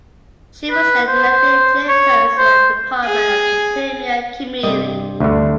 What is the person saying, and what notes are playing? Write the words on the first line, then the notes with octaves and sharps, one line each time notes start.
She was then elected chairperson of the department of the premier committee.
B4
C5
C#5
C5
G#4
G2 C3 D#5
D2 D3